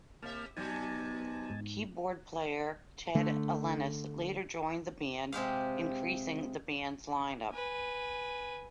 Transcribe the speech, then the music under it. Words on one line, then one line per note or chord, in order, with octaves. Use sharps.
Keyboard player Ted Ellenis later joined the band increasing the band's lineup.
C3 A#3 E5 A5 F6
C3 F#3 B3 D#4 G#5 A5
G#2
D3 A3
C3 G#3 G4 F5
B4 G#5